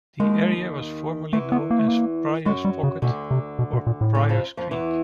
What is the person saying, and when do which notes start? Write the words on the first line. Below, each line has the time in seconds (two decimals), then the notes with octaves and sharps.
The area was formerly known as Priors Pocket or Priors Creek.
0.20 D#2 D#3 G#3
1.33 E2 E3 A3
1.52 B3
1.71 A#3
1.79 A3
1.88 A#3
2.45 F#2 F#3 G#3
2.65 G3
2.83 C#3
3.02 D2 B2 D3
3.31 C3
3.59 B2
3.73 B2
3.87 A#2
4.01 A2
4.15 D2 D3
4.29 F2 F3
4.57 F2 F3
4.71 E2 E3